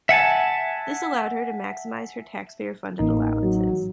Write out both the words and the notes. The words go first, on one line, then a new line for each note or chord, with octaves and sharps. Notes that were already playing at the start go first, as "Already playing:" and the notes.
This allowed her to maximise her taxpayer-funded allowances.
E5 F#5 G#5 A5
A1 A#3 D#4
F#3